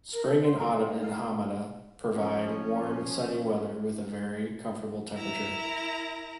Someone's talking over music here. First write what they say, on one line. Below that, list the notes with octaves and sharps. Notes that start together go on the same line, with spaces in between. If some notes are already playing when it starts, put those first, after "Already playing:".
Spring and Autumn in Hamada provide warm, sunny weather with a very comfortable temperature.
A#4
A4
C6
A#5
A4
D#4
F5
F3 C#4
E4 A#4 A#5